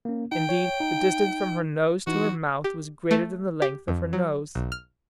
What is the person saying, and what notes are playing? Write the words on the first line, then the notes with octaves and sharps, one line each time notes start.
Indeed the distance from her nose to her mouth was greater than the length of her nose.
A#3 C#4
D#4 G5
C#5
D#4
E3 D#4 F#4
G4
A3
G4
F2
F#3
B1
F6